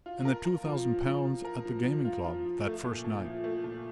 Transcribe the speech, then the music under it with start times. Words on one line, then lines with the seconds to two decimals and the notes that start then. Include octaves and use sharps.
"And the two thousand pounds at the gaming club--that first night?"
0.06 F4
0.25 A#4
0.45 A#4
0.65 F3
0.85 F3
1.05 F3
1.25 F3
1.45 A#4
1.65 F3
1.84 F3
2.05 F4
2.25 F3
2.45 F3
2.65 A3
2.85 A#2
3.04 A#2
3.25 F3
3.44 A3
3.64 A#2